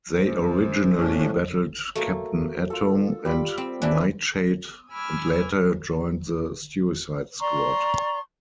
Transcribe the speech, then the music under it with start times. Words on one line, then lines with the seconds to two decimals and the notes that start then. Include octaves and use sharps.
They originally battled Captain Atom and Nightshade and later joined the Suicide Squad.
0.18 F#2 C5
0.97 A2 F3 C#4 D4
1.95 F#3 A3 A#3
2.70 F4 A4
3.25 G3 F4 B5
3.58 C4
3.82 E3 D4 D5 E5 G#5
4.91 G#5 B5 D6 E6 F6 G#6
7.41 D5 A#5 C6 C#6